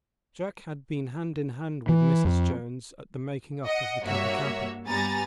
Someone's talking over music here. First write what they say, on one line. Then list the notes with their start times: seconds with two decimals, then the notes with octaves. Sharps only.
Jack had been hand in hand with Mrs. Jones at the making up of the Kappa-kappa.
1.89 E3
2.25 F2
3.66 D#5 F#5
4.04 G2 A#3 F#4 C#5 E5
4.88 G2 G3 B3 G#5 A#5 A6